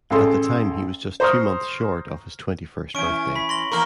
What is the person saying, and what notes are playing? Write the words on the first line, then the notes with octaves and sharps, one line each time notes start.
At the time he was just two months short of his twenty-first birthday.
A1 G#4 A4 C6
C5 A#5 C6 C#6 D#6 F6
E3 C#4 C#6 D7
B5 B6
C6 A#6 F#7
E2 A#3 A#4 C#6 F6 G7